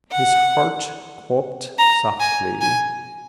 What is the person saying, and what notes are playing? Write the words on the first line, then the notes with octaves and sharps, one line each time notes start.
His heart quopped softly.
F#5
A#5
G#5
G#5